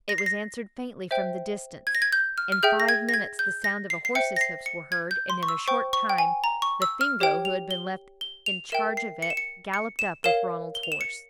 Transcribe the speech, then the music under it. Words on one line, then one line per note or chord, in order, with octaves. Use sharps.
It was answered faintly from the distance; in five minutes the sound of a horse's hoofs were heard, and in a short time the Fingo who had been left in charge of it, galloped up with Ronald's horse.
A#6
C7
A#6
C5 E5 G5
G#6
A#6
G#6
G6
F6
F6
G#4 E5 G5 G6
A#6
G#6
A#6
G#6
G6
A#6
C7
C7
C5 E5 G5 C#7
A#6
C7
C#7
G#6
G6
C6
C#6
E6
C5 G5 C#6
C#6
G5
G#5
A#5
C#6
E6
F6
G4 C#5 G5
F7
G7
G7
F7
A#4 E5 G5 E7
C7
C#7
E7
C#7
C#7
E7
A#4 C#5 F5 E7
G7
F7
E7
C#7